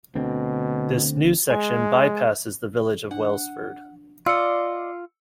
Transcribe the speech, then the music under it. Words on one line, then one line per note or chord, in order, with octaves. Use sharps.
This new section by-passes the village of Welsford.
D2 B2 D3 C4
G#3 G#5
D4 F#5
F4 D5 D#5 E6 C#7